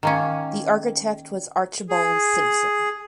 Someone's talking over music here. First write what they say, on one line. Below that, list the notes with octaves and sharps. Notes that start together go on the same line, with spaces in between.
The architect was Archibald Simpson.
D#3 A#3 C#4
G#4